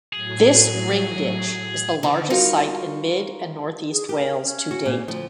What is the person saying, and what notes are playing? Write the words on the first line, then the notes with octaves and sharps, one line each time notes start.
This ring ditch is the largest site in mid and northeast Wales to date.
A2 F#3 G#4
D3 D#3 D#4 B4 D5
G3 D#4 F4 F#4 A#4
G#4
G4 A#4
C#4
F#4
A#2
D2 F3